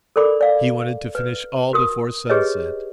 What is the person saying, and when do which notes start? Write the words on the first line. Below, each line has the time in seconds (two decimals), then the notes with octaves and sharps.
He wanted to finish all before sunset.
0.16 A4 A#4 D5 B5 D6
0.41 D5 F5
1.15 B4
1.73 F#4 A#4 D#6
2.29 G4 G#4 B4 C#5 D#5